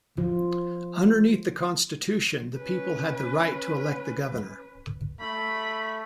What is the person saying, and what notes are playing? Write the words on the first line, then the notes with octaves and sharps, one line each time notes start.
Underneath the constitution, the people had the right to elect the governor.
F3 F4
C#4 B4
A3 B5